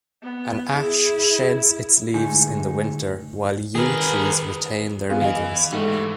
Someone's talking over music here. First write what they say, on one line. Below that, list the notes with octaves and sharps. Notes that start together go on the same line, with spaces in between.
An ash sheds its leaves in the winter, while yew trees retain their needles.
B3
E4 G#4
A2 D3 G#3 D#4 G#5
D#3 G#4 A#4 B4
B3 F4 G#4
E3 D#5 F5 G#5
G#2 G3 A3 B3
E3